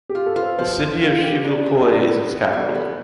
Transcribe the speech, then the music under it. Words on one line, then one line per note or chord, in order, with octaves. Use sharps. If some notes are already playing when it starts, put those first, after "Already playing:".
The city of Chivilcoy is its capital.
G4
F4
A4
F4 B4
C5
F3 C5
F4
F4
G4
D4
D4
B3 A4
B3
B3
G3
B3